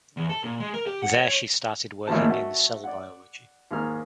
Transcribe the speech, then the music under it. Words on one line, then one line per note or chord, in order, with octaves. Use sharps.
There she started working in cell biology.
E2
A4
A#2
G#3
A#4
G4
F#5
C#5
G#1 D#2 A2 F3 A5
A3 F#4
D5 F#5
D#2 G#2 F6